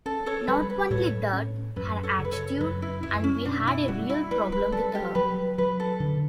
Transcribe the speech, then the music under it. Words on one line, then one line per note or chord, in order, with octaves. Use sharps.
Not only that, her attitude, and we had a real problem with her.
C#4 A4
A4 C#5
G3 B4
B4
A2 A4 C#5
C#4
F#2 B4
A4 C#5
C#3
B4
A4 C#5
F#2 B4
E4
F#2 E4
C#4
B2 D4
E4
G3 F#4
E4
G3 B4
B4
G3 A4
G4
F#3 B4
F#3 B4
A4
D3